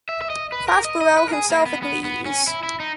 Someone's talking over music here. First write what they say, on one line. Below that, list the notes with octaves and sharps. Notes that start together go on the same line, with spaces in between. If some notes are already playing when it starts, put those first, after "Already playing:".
Prospero himself agrees.
E5
E5
D#5
B4
A#4
D#5
D#5
B4
A#4
G#4
A#3
B3
B3
B3
C#4
E4
E4
D#4